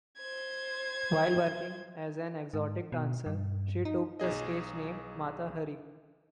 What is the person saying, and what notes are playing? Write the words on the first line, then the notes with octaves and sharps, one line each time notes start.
While working as an exotic dancer, she took the stage name Mata Hari.
C5 G#6
G#2
B2
G2
D#4
B1 D#4 G#4 D#5